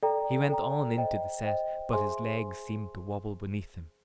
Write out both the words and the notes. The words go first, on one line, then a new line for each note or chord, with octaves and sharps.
He went on into the set, but his legs seemed to wabble beneath him.
A4 D5 G5 A#5
A4 D5 G5 A#5
C5 D#5 G5
C5 D#5 G5
G#4 C5 E5 G#5 C6